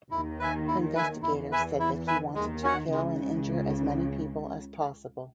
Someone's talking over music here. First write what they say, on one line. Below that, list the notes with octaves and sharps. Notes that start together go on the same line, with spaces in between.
Investigators said that he wanted to kill and injure as many people as possible.
D#2 D#3 E4
B4 E5 G#5
E4
B4 E5 G#5
E2 E3 E4
B4 E5 G#5
E4
B4 E5 G#5
D#2 D#3 G#3
C#4 F#4 C#5 F#5
C#2 C#3 G#3